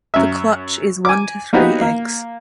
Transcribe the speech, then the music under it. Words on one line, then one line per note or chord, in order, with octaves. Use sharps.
The clutch is one to three eggs.
F#2 E5
G#5 D6
A#3 B3 D#4 F#4 G4
A#3